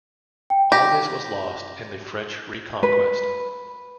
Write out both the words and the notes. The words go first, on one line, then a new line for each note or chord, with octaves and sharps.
All this was lost in the French reconquest.
G5
G4 A#6
B4